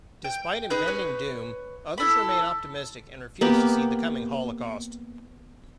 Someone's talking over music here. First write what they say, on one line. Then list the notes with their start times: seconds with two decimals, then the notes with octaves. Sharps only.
Despite impending doom, others remain optimistic and refuse to see the coming Holocaust.
0.24 G5
0.70 D#4 G#4 B4 G6
0.88 B4 C#5
1.98 E4 A4 B5
3.41 A#3 B3 G4